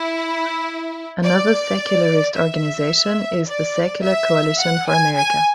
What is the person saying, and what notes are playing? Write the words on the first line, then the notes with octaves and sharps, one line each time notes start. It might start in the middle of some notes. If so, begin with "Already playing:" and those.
Another secularist organization is the Secular Coalition for America.
Already playing: E4
D5
E5
D5
E5
F#5
G#5
G#5